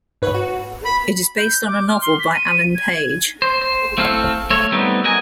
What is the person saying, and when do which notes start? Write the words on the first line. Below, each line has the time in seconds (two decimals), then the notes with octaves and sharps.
It is based on a novel by Alain Page.
0.22 G#2 B4 C#5
0.35 F#4
0.85 B5
1.37 G6
1.67 D6
1.87 F6
2.01 C6
2.19 B6
2.34 D#7
2.75 G#6
2.93 G#6
3.42 C5
3.62 C5
3.98 A3 C4 E4 A4 F5
4.50 A3 C#5
4.72 G3 A3 B3 C4 D#4
5.04 F#4 A#4 D#5 G#5